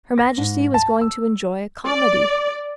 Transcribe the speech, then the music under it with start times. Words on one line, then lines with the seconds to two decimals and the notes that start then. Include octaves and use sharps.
Her Majesty was going to enjoy a comedy.
0.18 A#6
0.38 G#2
0.74 A5
1.01 E6
1.86 D5